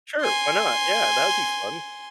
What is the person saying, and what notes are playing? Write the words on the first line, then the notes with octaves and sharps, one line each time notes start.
Sure, why not, yeah that would be fun.
G#5 C6